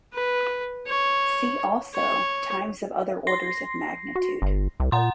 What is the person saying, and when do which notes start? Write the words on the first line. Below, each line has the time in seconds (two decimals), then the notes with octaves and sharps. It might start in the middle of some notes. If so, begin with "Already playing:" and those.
"See also" times of other orders of magnitude.
0.14 B4
0.87 C#5
1.94 C#5
3.27 C6 A#6 C7
4.16 F#4
4.42 G1
4.80 C2
4.92 A#2 F#5 A#5 C6